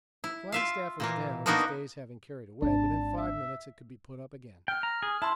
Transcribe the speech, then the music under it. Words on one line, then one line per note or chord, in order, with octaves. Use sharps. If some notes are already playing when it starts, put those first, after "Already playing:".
The flagstaff was down, the stays having carried away, but in five minutes it could be put up again.
E4
F4 E5 F5
A#2 E3 A#3
A#3 B3 D4 D#4 F#4 A#4
G#1 D4 A5
E5
G5 F6
A#5
G#4
E4 A5 C6